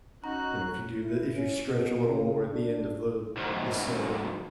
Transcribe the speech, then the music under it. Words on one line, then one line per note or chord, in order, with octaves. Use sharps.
you know if you do the if you stretch a little more at the end of the the set,
C#4 D#4 F#4 A#5 F#6
E4
C#4
B2
C#3
D4
D2 G#2